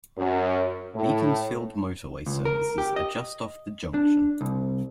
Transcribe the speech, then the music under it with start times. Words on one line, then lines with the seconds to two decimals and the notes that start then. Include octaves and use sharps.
Beaconsfield motorway services are just off the junction.
0.17 F#2
0.94 A2
2.26 C#2
2.45 A#4
2.78 G4
2.96 D#5
3.94 D4
4.41 C2